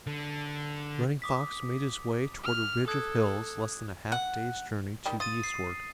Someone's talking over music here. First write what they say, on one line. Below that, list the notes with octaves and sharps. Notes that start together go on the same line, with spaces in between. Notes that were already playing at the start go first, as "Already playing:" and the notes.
Running Fox made his way toward a ridge of hills less than a half day's journey to the eastward.
D3
D6 D#6 B6
F6
A4 D#6 F#6 G#6
F#5
D#3 G3 G4
F4 D#6 A6 D#7
C7